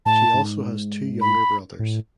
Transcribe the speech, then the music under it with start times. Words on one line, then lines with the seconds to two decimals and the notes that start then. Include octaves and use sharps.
She also has two younger brothers.
0.06 A2 A5
0.34 G#2
1.21 B5
1.79 A2